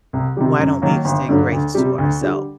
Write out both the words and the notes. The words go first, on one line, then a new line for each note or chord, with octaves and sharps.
Why don't we extend grace to ourself?"
C2
C3 D#3 G3
F#2
D#3 F#3 A#3
G1
G2 D3 F#3
D2
C3 G3
D2
D3 G3